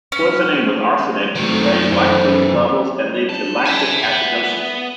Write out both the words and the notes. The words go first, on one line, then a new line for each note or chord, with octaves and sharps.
Poisoning with arsenic can raise lactate levels and lead to lactic acidosis.
C#4
F#2 D#3 A3 C4 F#4
E3 E4 A4 C5
A4
E5 G#5
B3